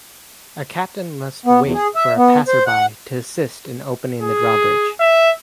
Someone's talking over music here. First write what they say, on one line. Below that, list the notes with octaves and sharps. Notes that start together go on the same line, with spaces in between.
A captain must wait for a passer-by to assist in opening the drawbridge.
B3
E2
G#4
E5
B3
C5
F#5
G#4
E5